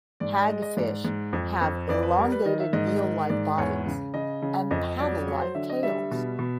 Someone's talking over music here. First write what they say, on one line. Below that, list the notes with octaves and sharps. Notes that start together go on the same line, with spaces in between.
Hagfish have elongated, eel-like bodies, and paddle-like tails.
G#2 D5
D5
G#3 D#5
D#5
G#2 D5
G#2
F2
F2
F2 D5
B4
G3 A#4
B4
D#3 D#5
E5
G#2 D#5
D#5
D#3 D#5
G#2 D5
E2 C#5
C#3
C#3 D#5
C#3
F2 D#5
F#3 D5
F#3 C#5
C5
D3 E5
D#5
G3 E5
B2
B2